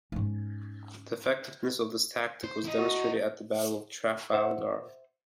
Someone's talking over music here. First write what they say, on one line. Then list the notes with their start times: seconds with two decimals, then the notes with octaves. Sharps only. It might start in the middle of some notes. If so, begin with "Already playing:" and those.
The effectiveness of this tactic was demonstrated at the Battle of Trafalgar.
0.12 G#2 C#4
2.44 C5
2.65 E4 D#5
2.78 F#4
4.33 C5 E5 F#5